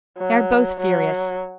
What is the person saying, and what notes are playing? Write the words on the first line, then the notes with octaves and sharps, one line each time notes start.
They are both furious.
F#3
F#3